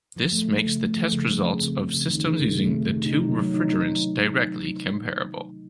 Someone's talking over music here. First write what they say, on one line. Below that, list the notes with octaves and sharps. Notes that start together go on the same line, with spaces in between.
This makes the test results of systems using the two refrigerants directly comparable.
F3
A3
A3
C#3
A3
F3
C#3
F3
C4
C#3
C#3
C#3
D#3
C3
C3
A3
C3
C3
D#4
F#3
F#3
D#4
D#4